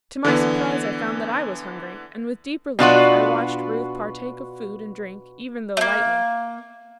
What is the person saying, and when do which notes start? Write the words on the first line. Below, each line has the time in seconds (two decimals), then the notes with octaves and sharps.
To my surprise I found that I was hungry, and with deep relief I watched Ruth partake of food and drink even though lightly.
0.24 D3 E3 B3
2.79 B2 D4 F4 F#4
5.77 A3 A#3